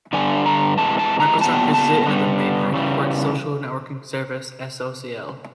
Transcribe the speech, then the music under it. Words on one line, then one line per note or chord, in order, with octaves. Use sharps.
Microsoft uses it in a domain hack for its social networking service so.cl.
G2 D3 G3 B3 G#5
A#5
C3 E3 G#3 A5
A5
A#5
A#2 G3 B3 A5
A5
G2 D3 G3 B3
C#3 E3 G3